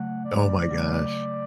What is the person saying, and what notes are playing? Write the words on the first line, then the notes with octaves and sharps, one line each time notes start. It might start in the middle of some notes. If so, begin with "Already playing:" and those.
Oh my gosh.
Already playing: C#3 F#3 A3 F#5
D5
C#3 F#3 A3